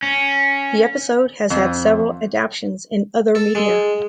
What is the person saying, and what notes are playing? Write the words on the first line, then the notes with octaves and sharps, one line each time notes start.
The episode has had several adaptations in other media.
C#4
F2
A4
G#3